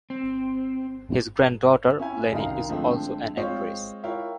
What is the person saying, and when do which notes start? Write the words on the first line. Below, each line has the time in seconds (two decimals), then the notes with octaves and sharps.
His granddaughter Lenny is also an actress.
0.10 C4
1.99 C#4 E4 G#5
2.32 C2 F#2 D#3 D#5 F5 A#5
2.69 D3 F3 G#3 A3 C4
3.37 G#3 C4 F4 C5 C#5 D#5
4.04 E4 F4 A#4 C#5 G5